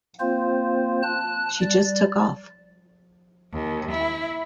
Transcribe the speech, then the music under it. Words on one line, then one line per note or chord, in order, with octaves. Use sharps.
She just took off.
A#3 C4 F4 C5
A5 F#6
G3 D5
D#2
E4